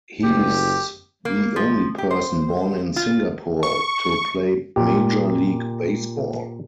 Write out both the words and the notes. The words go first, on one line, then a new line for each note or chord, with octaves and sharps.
He is the only person born in Singapore to play Major League Baseball.
F#1 G4
A#3
F3
G4
C5
F4
C#6
A#2 G4